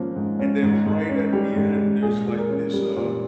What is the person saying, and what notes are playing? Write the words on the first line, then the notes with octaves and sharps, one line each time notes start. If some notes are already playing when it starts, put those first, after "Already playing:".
and then right at the end, there's, like, this, uh
Already playing: G#2 F3 A#3 C#4
G#2
C#4
G#2
G#2
C#4
G3 G4
G#2
G#2
A#2 G#4
A#2
A#4
C#4
G3
A#2